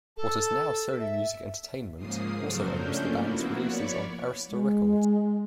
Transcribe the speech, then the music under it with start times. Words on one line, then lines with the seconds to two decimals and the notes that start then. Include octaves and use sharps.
What is now Sony Music Entertainment also owns the band's releases on Arista Records.
0.17 A4
0.99 E5
1.96 G#2 C#3 F3 A#3 D#6 C7
2.39 C#3 F#3 F#4 A4 A#4 C5
2.69 F3 A3 A#3 C#4 D4 G6
3.14 F3 A#3 B3 E4 F#4
3.59 C#5 D5 B5 C#6
4.49 G#3